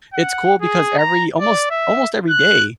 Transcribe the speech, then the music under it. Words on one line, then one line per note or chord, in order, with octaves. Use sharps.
it's cool because every almost almost every day,
F#5
G#4
A#5
D5
E5
F#6